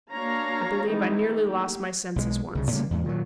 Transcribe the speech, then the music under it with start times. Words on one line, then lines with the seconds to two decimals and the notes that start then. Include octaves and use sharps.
I believe I nearly lost my senses once.
0.11 A#3 D4 F#4 C#5 F5 A#5
0.88 D#3 E3 G#3 C4 D#4 E4
1.40 A3 A#3 G4
2.16 B1 F3 G#3
2.55 C2 C#3
2.72 A2 C#3 G3 A#3
2.91 E2 G#2
3.05 A#2 D#3 F3 F#3